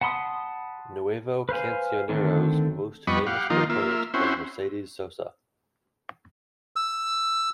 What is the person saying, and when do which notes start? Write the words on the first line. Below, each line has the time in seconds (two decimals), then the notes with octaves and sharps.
Nuevo Cancionero's most famous proponent was Mercedes Sosa.
0.01 F#5 A5 B5 C6 D#6
1.49 B4 C5 F5 G#5
2.09 D3 D#3 A3 C4 D4
3.07 F2 G3 B3 D#5 B5 C#6
3.26 G4 F5 F#5
3.50 D#3 F3 A#3 D#4 F4
3.70 A#3 F4 E5
4.14 C4 C#4 E4 F#4 C5
6.76 E6